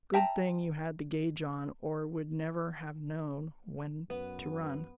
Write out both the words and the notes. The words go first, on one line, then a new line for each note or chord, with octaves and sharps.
Good thing you had the gauge on or we'd never have known when to run.
E5 G5 A5 A#5
F#2 B3 B4